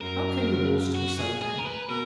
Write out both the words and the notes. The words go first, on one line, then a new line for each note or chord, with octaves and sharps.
How came the walls to be so damp?
F#2 A#4
F#4
G#4
G#4
A#4
B4
B2 A#4